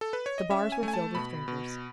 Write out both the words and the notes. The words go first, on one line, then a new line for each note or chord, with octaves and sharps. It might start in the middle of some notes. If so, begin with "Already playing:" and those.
The bars were filled with drinkers.
A4
B4
C#5
D#5
C#4 E5
G#5
A3
G#5
A5
B2 B5
B2